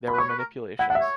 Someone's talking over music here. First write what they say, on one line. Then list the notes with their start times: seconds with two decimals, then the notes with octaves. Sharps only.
There were manipulations.
0.08 B5
0.13 B4
0.18 C#5 C#6
0.29 B4
0.39 A#4
0.79 E4 F#5
0.90 D4 F#5
0.95 E5
1.01 C#5